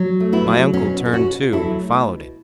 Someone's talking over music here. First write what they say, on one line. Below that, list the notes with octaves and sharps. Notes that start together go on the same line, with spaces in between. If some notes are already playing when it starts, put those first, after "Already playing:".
My uncle turned too, and followed it.
Already playing: F#3
A3
B3 E4
F#3
B2 C#4
B2
A4
C#4 F#4
B2
F#3 E4 A4
A3
B2